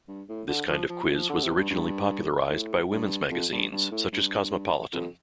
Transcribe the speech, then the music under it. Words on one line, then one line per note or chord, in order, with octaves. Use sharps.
This kind of "quiz" was originally popularized by women's magazines such as "Cosmopolitan".
G2
A2
D3
F3
F3
A2
F3
D3
C3
G2
G2
A2
G2
F2
G2
G2
A2
G2
F2